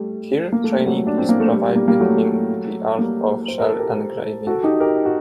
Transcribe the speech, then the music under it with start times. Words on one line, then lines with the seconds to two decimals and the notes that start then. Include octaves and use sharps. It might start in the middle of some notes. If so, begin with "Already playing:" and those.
Here training is provided in the art of shell engraving.
Already playing: G3 A3
0.52 A#3
0.64 A3
0.75 G3
0.86 F#3 A3
1.07 D4
1.18 C4
1.29 A#3
1.40 A3
1.52 G3
1.64 G3
1.75 G3 A#3
1.88 G3 A#3
2.01 F#3 A3
2.99 G3 A#3
3.48 C5
3.59 A#4
3.69 A4
3.79 G4 A#4
4.47 F#4 A4
4.63 D#4 G4
4.80 G4 A#4
5.06 F#4